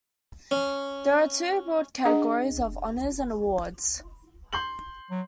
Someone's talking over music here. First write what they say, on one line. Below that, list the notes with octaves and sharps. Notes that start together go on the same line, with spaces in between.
There are two broad categories of honours and awards.
C#4
D4 G#4 D#5 F#5
C6 G6 F#7
F#3